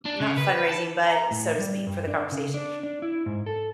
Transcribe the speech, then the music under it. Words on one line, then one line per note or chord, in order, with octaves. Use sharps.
not fundraising, but so to speak, for the conversation,
D4
C#3
B4
A5
A#5
A2
G3
G2
D4
C#3
D4
D4
E4
G#2
A4